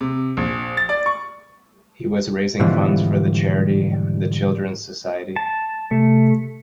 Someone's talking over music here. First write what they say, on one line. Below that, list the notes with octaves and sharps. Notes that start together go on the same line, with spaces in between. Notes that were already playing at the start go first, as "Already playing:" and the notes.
He was raising funds for the charity The Children's Society.
C3
A#1
A6
D5
C#6
G#2 B2 D3 E3 F3 G3
A5
C3 A3